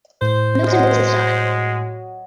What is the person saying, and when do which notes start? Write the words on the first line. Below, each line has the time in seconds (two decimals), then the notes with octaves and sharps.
Milton Rosenstock.
0.22 A2 C5
0.68 F#3 G#3 D#5